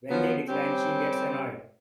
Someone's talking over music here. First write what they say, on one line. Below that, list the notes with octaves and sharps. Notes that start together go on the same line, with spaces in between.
When they decline, she gets annoyed.
F3 F#3 B3
G3 C4 C#4 G4